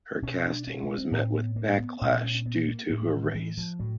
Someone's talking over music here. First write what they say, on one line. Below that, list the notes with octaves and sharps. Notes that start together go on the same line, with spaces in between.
Her casting was met with backlash due to her race.
B2 C#4
D4
C#4
C#4
C4
A2 C4
B3
A#3
B3
A#2 A#3
C4
C#4
C#4
B3
A#3
A2 A#3
A3
D#3
D#3
E3
F3
A2 F#3